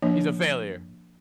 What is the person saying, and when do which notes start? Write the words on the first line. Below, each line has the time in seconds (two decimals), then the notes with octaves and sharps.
He's a failure,
0.02 F3 A#3 D4 C#5